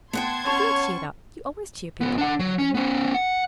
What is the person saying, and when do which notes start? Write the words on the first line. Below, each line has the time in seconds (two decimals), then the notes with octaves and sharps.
I feel cheered up--you always cheer people up, Aunt Emmy.
0.13 B3 F#5 G5 A5 C6 G#6
0.45 C#4 C#5 C#6
2.01 C#2 B3
2.18 D4 F#5
2.39 F#3
2.59 C#4
2.75 B3 C#4
3.14 F#5